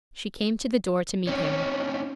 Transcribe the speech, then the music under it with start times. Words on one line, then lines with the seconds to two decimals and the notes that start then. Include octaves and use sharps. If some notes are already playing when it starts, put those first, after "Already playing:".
She came to the door to meet him.
1.27 C4 C#4 D#4 C#5